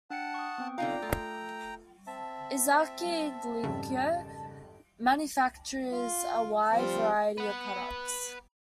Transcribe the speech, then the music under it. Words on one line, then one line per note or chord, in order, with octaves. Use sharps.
Ezaki Glico manufactures a wide variety of products.
D4 F#5 G5 A5 C#7
C#6 D#6
B3 C4 G5
D3 D#4 F4 F5 G5 A#5
A3 F4 A4
C4 E5 A5
G#1 F2 C#3 G3
F4
F3 G3 C4
B4 F#5